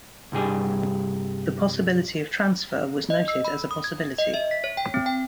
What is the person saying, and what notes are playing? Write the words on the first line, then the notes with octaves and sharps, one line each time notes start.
The possibility of transfer was noted as a possibility.
C2 G2 G3 G#4
D#5
E6
B5
D#6
G#6
D#5
E5
B6
C#5
G5
C4
G5